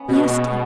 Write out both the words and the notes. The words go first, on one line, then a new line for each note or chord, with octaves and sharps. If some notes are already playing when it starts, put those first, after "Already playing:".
"Yes, dear."
Already playing: B3 C#4
B2 G#3
B2 G#3